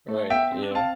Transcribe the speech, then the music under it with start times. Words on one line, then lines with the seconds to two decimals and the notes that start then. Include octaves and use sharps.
Right, yeah.
0.09 A3
0.30 B3 E5 G5
0.52 C4
0.63 D4
0.71 C4 F5 A5